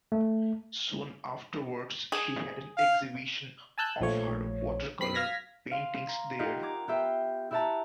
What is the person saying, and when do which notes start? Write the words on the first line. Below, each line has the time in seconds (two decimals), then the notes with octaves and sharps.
Soon afterwards she had an exhibition of her watercolor paintings there.
0.12 A3
2.12 G#4
2.77 F5
3.78 G#5 A5 E6 F#6 G6
4.01 A#1 F3 A3 C#5
4.99 F#2 C4 B5 B6 C7
5.15 F5 F6 G#6 A#6 B6
5.71 F5 C6
6.08 A#5
6.39 D#4 F4 G4 A#4 D#5 F#5
6.62 A#5 D6 G#6
6.88 B3 F4 G4 E5 G5
7.51 E4 G4 E5 F#5 A5 A#5